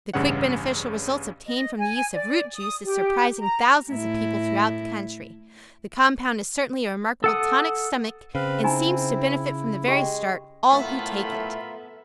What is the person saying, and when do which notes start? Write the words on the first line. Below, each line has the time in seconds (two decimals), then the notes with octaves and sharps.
The quick, beneficial results obtained from the use of ROOT JUICE is surprising thousands of people throughout the country. The compound is certainly a remarkable TONIC STOMACHIC and seems to benefit from the very start, all who take it.
0.14 A1 G2 C#3 C#4 C#5 F#5
1.47 D#5
1.79 G#5
2.14 D5
2.54 D#6
2.84 G4
3.39 A#5
3.91 A2 E4
7.24 A4 F#5 D#6
8.35 C#3 C4 B4 F5 B5
8.64 D#4 E4 G#5 A#5
9.88 G#3 G4 G5
10.72 A2 B3 F4 A4 A#4 E5 B5